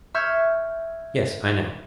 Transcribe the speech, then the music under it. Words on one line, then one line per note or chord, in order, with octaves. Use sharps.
Yes, I know.
E5 C#6 F6 G6 G#6 C#7